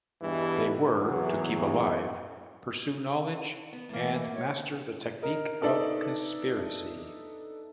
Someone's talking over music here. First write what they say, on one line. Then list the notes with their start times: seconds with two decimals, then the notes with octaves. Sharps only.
They were, to keep alive, pursue knowledge, and master the technique of conspiracy.
0.22 E2 G2 B2 E3
0.98 E2 F#3
3.73 B3
3.89 A2 E3 A#3
4.33 C#5
5.23 A#4 D#5
5.62 B3 D4 D#4 A4 D5 E5